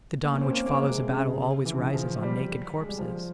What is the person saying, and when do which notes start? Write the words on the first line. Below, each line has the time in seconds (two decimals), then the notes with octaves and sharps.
The dawn which follows a battle always rises on naked corpses.
0.23 A#3
0.34 C#4
0.43 C4
0.52 A#3
0.66 A#3
0.80 G#3
0.95 C3
1.09 C#3
1.66 E3
1.74 C#3
1.82 E3
1.94 F3
2.23 G3
2.80 G#3
2.89 G3
2.98 F3